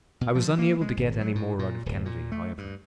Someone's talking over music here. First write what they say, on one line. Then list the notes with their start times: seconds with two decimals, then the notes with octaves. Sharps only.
I was unable to get any more out of Kennedy, however.
0.21 B2
0.35 F3
0.59 A#3
0.81 G#3
0.97 G#1
1.21 F#3
1.35 A2
1.59 A#2
1.86 D1
2.05 A#2
2.32 A3
2.58 G2